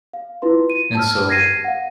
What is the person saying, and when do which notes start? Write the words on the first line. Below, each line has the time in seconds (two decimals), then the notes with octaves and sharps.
and so,
0.13 F5
0.42 E4 F4 B4 C6
0.70 D#7
0.95 A5 E6 F6
1.29 G#6 A#6 C7 D#7
1.64 F5 F#5